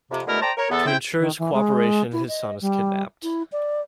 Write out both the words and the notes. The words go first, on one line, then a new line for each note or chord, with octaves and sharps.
To ensure his cooperation, his son is kidnapped.
F2 C3
B2 D3 G#3 A3 E4 A#4
A4 C5 D5 G5 A5 A#5
A#4 C#5
E2 B3 A4
C4 E4 G5
D#3
E3
G#3
E4
D#5
G3
E4
D5